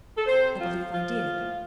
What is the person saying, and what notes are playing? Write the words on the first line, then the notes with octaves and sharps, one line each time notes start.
"I believe I did."
A4
C3 C5
F3 F4
F3 F4
A2